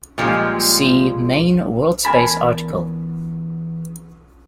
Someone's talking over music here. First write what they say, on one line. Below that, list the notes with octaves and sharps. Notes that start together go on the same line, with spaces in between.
See main WorldSpace article.
A#2 F3 G3 G#3
E2 G#3 A#4 G#5 A5 B5